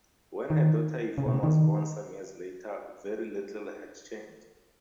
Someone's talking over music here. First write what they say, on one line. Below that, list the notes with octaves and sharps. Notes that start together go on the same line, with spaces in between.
When her daughter Yvonne was born some years later very little had changed.
D#3
C#3
B2
C#3
D#3